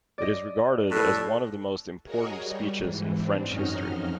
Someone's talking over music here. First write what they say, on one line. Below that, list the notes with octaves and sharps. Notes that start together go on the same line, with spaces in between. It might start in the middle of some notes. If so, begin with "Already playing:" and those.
It is regarded as one of the most important speeches in French history.
D5 D#5
A2 G3 A4 F#6
F#4 G#4 A#4 C#5 D#5
G3
G#2 E3
C4 D4
F#2 C#4 D#4 F#4 D#5 F6
F2